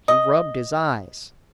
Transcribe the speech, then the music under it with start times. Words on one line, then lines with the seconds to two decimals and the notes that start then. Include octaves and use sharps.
He rubbed his eyes.
0.08 D#5